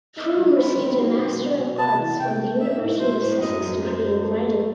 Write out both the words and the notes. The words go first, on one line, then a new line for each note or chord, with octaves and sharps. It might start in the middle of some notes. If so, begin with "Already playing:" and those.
Froom received an Master of Arts from the University of Sussex in creative writing.
D#4 E5
F#3
C4 B5
D#3
F#3
B2
B3
B2
C3 A5
E3
C3 G5
A3
D#4 E5
A2
F#3 C5
A2
F#2 D#5
F#2
F#2 C5
F#2
A3
A3